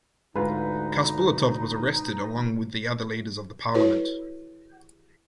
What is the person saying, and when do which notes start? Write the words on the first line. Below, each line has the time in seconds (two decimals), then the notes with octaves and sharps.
Khasbulatov was arrested along with the other leaders of the parliament.
0.36 D2 G#2 D#4 F4 B4
3.74 E4 F#4 A4 B4 C#5